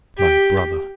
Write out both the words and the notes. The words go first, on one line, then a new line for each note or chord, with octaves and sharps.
My brother!
G4